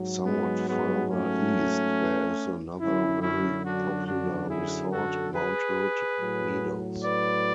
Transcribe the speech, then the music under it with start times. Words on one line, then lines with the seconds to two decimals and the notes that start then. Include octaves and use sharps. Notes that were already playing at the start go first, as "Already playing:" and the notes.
Somewhat farther east there is another very popular resort, Mount Hood Meadows.
Already playing: G#2 F#3
0.26 G#3 B3
0.67 G#3 B3
1.10 A3 C#4
2.80 F#2 D3 F#3 C#4 E4
3.22 C#4 E4
3.65 D4 F#4
4.06 D4 F#4
4.49 E4 G#4
4.92 F#4 A4
5.34 G#4 B4
6.20 A2 F#3
7.03 B4 D5